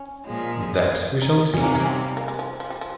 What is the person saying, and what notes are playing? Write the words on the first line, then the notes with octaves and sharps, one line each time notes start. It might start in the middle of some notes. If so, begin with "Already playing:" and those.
That we shall see.
Already playing: C#4
A#2 F3 G#3
D#4
C3 G3 A#3 C#4 D#4
C#4
C#4
C4
A#3
G#3
F3
F3
G3
F3